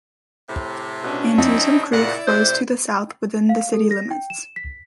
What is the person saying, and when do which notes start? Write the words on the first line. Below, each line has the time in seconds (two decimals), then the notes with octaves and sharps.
Antietam Creek flows to the south within the city limits.
0.48 A2 C3
1.03 B2 C#4 D4
1.38 F2 G3 C4 D#4 E4
1.92 A#2 C#3 E4 D5 F#5
2.27 C3 C5
3.49 F5
3.74 A4
3.91 A#6
4.11 G5
4.30 E7
4.56 B6